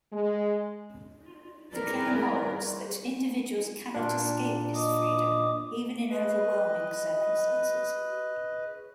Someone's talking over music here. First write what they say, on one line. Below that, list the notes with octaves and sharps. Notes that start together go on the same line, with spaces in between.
The claim holds that individuals cannot escape this freedom, even in overwhelming circumstances.
G#3
G3 E4 G#4 A#4 B4 D5
A#2 D4
D#5 D6 D#6
B4 D#5